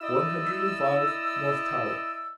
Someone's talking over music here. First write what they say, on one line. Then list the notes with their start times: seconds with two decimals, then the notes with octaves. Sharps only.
"One Hundred and Five, North Tower."
0.01 E4 D5 D#5 E6